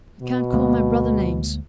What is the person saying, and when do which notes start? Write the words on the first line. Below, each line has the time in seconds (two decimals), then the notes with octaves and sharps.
"You can't call my brother names."
0.22 B2
0.53 D2 G#3 A#3